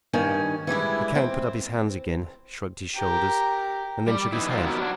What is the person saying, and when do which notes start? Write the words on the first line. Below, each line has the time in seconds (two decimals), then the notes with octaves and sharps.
The count put up his hands, again shrugged his shoulders, and then shook his head.
0.13 G2 D#3 C#4 G#5
0.67 E3 G3 G#3 E4
1.15 C4
2.96 G4 A#4
4.08 G3 D5
4.33 E3 D#4 E4
4.51 F3 F#3 A#3 C4 F4
4.66 F#3 B3 D#4 E4 G4 A#4
4.81 F#3 D4